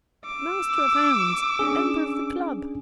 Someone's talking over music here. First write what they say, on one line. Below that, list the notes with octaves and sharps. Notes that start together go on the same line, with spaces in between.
Master of hounds! member of the club!
D6 E6
C#4 D4 G#4